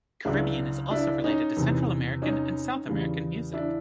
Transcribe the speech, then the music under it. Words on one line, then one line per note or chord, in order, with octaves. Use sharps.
Caribbean is also related to Central American and South American music.
C#2 C#3 F#3 D4 E4
D4 E4
C#4 D#4
E2 C3 E3
C#4 D#4
E2 C#3 E3 G3
D4 E4